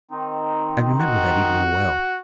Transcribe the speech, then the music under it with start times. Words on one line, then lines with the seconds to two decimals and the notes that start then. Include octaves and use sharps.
I remember that evening well.
0.11 D#3 C4 D#4
1.01 F#4